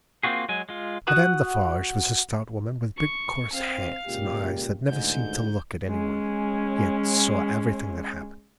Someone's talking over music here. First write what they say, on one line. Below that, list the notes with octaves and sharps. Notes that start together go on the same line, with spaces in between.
Madame Defarge was a stout woman with big coarse hands and eyes that never seemed to look at any one, yet saw everything that happened.
A#3 C4 F4 F#4 G#4
F#3 G#3 G#5
G#3 F4
F#4 F#5 D#6
C#6
C4 F5
C#2 A#2 G4
A1 D2 G#2 G6
G#3 C#4